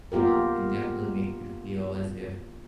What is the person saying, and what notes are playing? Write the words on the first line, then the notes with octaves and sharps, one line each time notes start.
um, can definitely make you feel as if,
A#3 B3 F4 G4 A#4